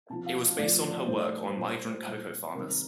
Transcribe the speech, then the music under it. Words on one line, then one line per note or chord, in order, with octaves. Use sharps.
It was based on her work on migrant cocoa farmers.
C3 F3 A5
F5
D#5
A2 F3 D5
A2 G3 C5
A#2 G3
A#2 G3
C3 D#3 G3 A#4